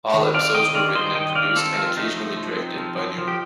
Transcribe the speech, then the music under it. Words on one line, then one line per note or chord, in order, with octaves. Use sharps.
All episodes were written and produced, and occasionally directed, by Newman.
D#3
C4 D5 F5
D#3 D#5 G5
D#3 D5 F5
D#3 C5 D#5
D#3 D#5 G5
D#3 D5 F5
C4 F4 A4
F3 F4
A3 D#4
F3
F3
C4
F3
F3
F3
G4